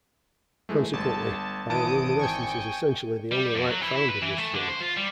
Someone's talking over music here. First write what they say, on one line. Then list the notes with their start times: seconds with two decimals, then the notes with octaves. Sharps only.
Consequently, bioluminescence is essentially the only light found in this zone.
0.69 E3 G#3 A3
0.93 G1 A5
1.70 G#1 E3 A5 D#6 D7
2.19 G5 G#5 C#6
3.31 G3
3.55 F2
3.71 F#3
3.82 E3
3.95 E4
4.10 B4
4.23 E3
4.39 A3
4.55 D3
4.69 C5
4.80 F4
4.97 G3